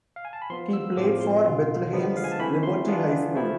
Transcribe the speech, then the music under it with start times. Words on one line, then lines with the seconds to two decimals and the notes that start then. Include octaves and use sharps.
He played for Bethlehem's Liberty High School.
0.16 F5
0.25 G#5
0.33 A5
0.42 B5
0.50 F3 B3 F4 C6
0.73 E6
0.97 A2 F3 A3 C4 F4 D6
1.21 C6
1.45 B2 B3 F4
1.92 D3 F3 G#3 B3
2.17 F5
2.24 G#5
2.32 A5
2.39 E3 A3 C4 E4 B5
2.63 C6
2.86 E3 B3 D4 F4
3.34 F3 A3 E4